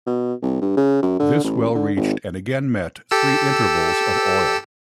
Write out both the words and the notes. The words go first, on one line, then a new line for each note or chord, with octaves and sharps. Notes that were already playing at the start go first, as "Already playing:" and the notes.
This well reached and again met three intervals of oil.
B2
C2
G2
C#3
F#2
D3
A1
D3
G#1
G4 A4 E6